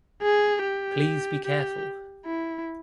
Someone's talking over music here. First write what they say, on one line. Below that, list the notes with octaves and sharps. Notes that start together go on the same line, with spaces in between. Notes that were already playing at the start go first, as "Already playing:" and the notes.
Please be careful!
G#4
G4
G4
E4